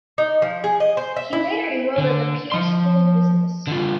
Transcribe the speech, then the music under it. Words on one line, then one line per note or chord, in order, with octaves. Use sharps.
He later enrolled at the Peirce School of Business.
D#4
F3
G#4
D#5
C5
E5
E4
D3
F3 C6
D3 F4